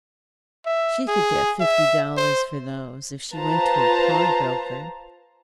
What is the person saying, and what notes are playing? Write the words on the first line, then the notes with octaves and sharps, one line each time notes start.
She could get fifty dollars for those if she went to a pawnbroker.
E5
G#4
E5
C5
F4 B4 C5 A5 A#5